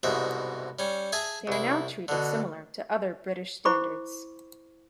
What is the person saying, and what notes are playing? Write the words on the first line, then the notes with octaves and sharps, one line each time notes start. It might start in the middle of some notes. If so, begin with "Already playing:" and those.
They are now treated similar to other British Standards.
C2 G#2 B2 E5
G3 C#4
G#4 E5 G#5 A5
C2 E4
B2 D3
E4 C5 B5 C#6 D6